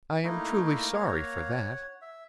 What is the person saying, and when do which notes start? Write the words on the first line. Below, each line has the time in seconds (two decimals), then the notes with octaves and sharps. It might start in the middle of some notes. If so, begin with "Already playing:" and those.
"I am truly sorry for that."
0.24 A3 A#3 D#4 E4 F5 A#5
0.94 C#5 F#5
2.02 E5